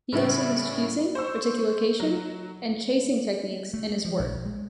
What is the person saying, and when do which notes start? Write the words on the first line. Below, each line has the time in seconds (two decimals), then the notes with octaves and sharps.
He also used fusing, reticulation and chasing techniques in his work.
0.12 A2 C#3 G3 B3 C#4 E4
1.15 C5 C#6 E6
2.00 F#3
3.74 A3
4.05 F3
4.19 A#1
4.45 G#3